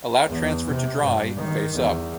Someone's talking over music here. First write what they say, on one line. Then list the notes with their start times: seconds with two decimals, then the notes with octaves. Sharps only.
Allow transfer to dry, face up.
0.25 E2
0.66 C3
1.02 G2
1.36 D#3
1.73 E2